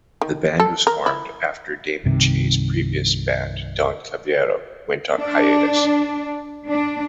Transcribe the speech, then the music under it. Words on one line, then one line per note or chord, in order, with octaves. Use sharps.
The band was formed after Damon Che's previous band Don Caballero went on hiatus.
D#3
A4
A#4
E4
C2 G2 C3 D#3
D4
D4